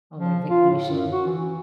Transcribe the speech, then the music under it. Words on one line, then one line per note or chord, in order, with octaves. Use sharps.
on, like, vacation.
F3
F4
A2
F#2
F#4
E3